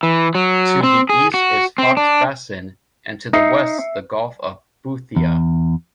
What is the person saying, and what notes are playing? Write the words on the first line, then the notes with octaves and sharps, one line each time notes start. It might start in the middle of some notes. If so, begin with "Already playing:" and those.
To the east is Foxe Basin and to the west the Gulf of Boothia.
E3
F#3
C4
G#4
F#4
C4
D4
D#4 E5 C7 C#7
E2